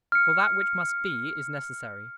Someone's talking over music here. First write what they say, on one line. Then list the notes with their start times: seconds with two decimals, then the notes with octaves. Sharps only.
For that which must be is necessary.
0.12 F6 C#7